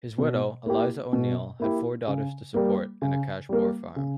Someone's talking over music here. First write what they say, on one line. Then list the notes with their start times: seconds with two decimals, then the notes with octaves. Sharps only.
His widow, Eliza O'Neal, had four daughters to support and a cash-poor farm.
0.18 B2
0.66 A#3 E4 G4
1.13 B2
1.60 A#3 E4 G4
2.08 C#3
2.54 G3 A#3
3.02 C#3
3.49 G3 A#3
3.96 C#3